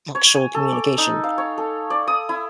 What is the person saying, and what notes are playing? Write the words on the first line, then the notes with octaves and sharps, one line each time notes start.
actual communication.
C#5
G#5
A4
D6
D#4
F5
C#5
A4
D5
D#6
E4